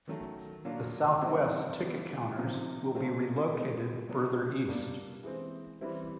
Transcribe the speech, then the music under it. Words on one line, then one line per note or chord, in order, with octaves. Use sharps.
The Southwest ticket counters will be relocated further east.
D#3 F#3 A3
A#2 F#3 A#3 D4 F4
C3 E3 G3 C4 E4
E3 G3 B3
C3 F3 A#3 D#4
C#3 F#3 A3 C4 F4
B2 G#3 C4
F#3 B3 D4
B2 G3 A#3 D4
E3 G#3 C4
E3 G3 C4 E4